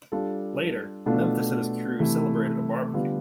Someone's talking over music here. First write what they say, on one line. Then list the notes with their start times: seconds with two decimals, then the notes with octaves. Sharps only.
Later, Memphis and his crew celebrate at a barbeque.
0.12 G3 D4 F4 A4
1.06 B2 A3 D4 F4 A4
1.99 C3 E3 A3 E4
2.93 D3 G3 B3 F4